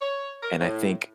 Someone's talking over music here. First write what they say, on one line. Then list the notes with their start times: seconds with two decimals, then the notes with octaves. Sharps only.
and I think
0.01 C#5
0.43 A#4
0.59 A2